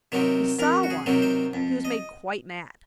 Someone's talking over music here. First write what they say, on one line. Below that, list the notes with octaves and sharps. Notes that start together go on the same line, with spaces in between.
If he saw one he was made quite mad.
C3 D#3 F#3 C4
F2 A#4
F#4
G#4
C3 D#3 F#3 C4
C5
F2
D#5